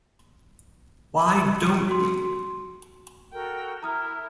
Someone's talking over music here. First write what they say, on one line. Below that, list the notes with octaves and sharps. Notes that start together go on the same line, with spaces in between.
Why Don't We?
F#4 C6
F#4 A4 A#4 G5
E4 A#4 A#5 D#6 F6